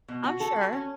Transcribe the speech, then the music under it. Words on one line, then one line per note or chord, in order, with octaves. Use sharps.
I'm sure.
B2
F#4
A4
F#4
C#4